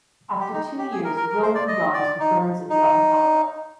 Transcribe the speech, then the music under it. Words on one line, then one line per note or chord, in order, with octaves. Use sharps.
After two years Grill moved on to the birds of the archipelago.
G4
D#4
G4
G#4
A#4
A#4
A#4
C5
D5
D#5
D5
D#4
D#4